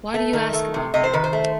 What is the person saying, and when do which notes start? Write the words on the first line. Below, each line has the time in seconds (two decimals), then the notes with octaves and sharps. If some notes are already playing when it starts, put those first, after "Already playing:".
Why do you ask about that?
0.14 A3
0.33 D#3
0.53 A3
0.74 C3
0.94 C3 D#5
1.04 C5
1.13 D#3 B4
1.24 C5
1.33 A3